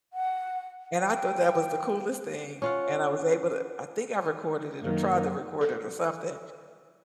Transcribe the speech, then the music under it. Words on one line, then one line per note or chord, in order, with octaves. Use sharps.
And I thought that was the coolest thing, and I was able to I think I recorded it or tried to record it or something,
F#5
G5
C#4 F4 F#5
F#2 D#3 A#3
A4